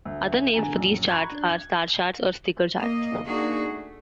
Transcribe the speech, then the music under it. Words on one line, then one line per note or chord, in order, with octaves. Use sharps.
Other names for these charts are star charts or sticker charts.
D2
D3 G#5 A#5
A#1 F#2
A#5 B5 C#6 F#6 G#6
D4
G#6
A#3 D#5
A#3 D4 D#4 F#4 G#4
A3